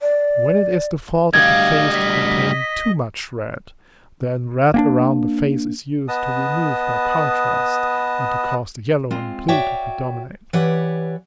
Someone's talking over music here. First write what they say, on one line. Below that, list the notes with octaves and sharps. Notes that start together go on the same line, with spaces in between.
When it is the fault of a face to contain too much red, then red around the face is used to remove by contrast, and to cause the yellow and blue to predominate.
D5
D2 G3 D#5 F5 G#6
B6
A#3 C4 D4
B3 B4 D#5 A5 D#6
G#3 C4 F4
F#4 C#5 D5 E5 G5
E3 G4 B4 C#5 D5 F#5